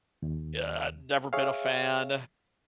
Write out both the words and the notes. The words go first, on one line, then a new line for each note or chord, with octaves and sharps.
Ugh, I've never been a fan,
D#2
G#4 C#5 E5 F5